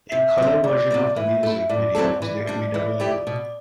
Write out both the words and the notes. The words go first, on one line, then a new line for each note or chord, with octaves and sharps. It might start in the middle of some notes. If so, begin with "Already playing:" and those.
A colour version of the music video was later made available.
C3 E5
F#3 C4
D2 D5
C3 G3 C4
E3 E5
A3 E4
A2 D5
F#3 C4 E4 A4
E3 D5
G3 D4
E3
A3 E4 G4
B2